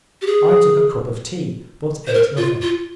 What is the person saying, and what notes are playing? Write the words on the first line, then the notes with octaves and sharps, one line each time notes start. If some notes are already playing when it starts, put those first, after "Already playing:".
I took a cup of tea, but ate nothing.
G4
G#4
C5
A#4
F4
F4